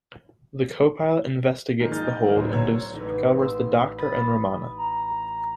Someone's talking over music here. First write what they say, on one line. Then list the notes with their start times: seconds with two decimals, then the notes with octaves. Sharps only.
The Co-Pilot investigates the hold and discovers the Doctor and Romana.
1.80 G#2 D#3 F3 G#3 A#3
1.92 D#5 A#5 F6 G6 A6
2.24 D#3 F#3 D#4 E4 A#4 D5
2.35 D1 D2 F#3 B3 C5 C6
2.52 C#5 A#5 E6 G#6
2.94 A1 D#4
3.39 C6 E6
3.98 B5 D#6 A6
4.78 A#5